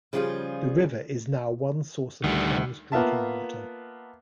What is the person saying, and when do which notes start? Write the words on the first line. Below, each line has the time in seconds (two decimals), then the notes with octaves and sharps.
The river is now one source of the town's drinking water.
0.13 C#3 F3 G3 F4 F#4 G#4
2.24 D2 D#3 G3
2.92 A#3 B3 F4 E5 A5